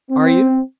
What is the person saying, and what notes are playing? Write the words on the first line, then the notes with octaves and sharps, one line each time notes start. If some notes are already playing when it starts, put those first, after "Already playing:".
"Are you?"
C4